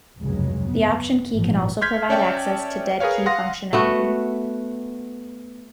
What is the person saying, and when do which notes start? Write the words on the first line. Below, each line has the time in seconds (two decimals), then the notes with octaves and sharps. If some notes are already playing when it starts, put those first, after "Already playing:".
The Option key can also provide access to dead key functionality.
0.19 F1 C#2 G2 C#3 F#3 G#3
0.67 B3
1.33 G#1 A#2 E3 F3
1.81 C6 F6 G6 G#6 B6
2.09 C#4 C#5 D5 E5 G5 A5
3.00 G#4 A#4 B4 C#5 F5
3.26 F5 F#5 C6 D#6 A#6
3.73 A3 B3 F#4